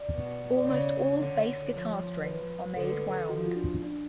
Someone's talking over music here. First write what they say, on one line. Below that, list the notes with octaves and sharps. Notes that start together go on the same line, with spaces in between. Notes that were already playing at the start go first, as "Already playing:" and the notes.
Almost all bass guitar strings are made wound.
Already playing: D5
B2
D5
C#3 C#5
D3
F3
B4
D3 A4
B4
A4
F3 F#4
F4
D4
D4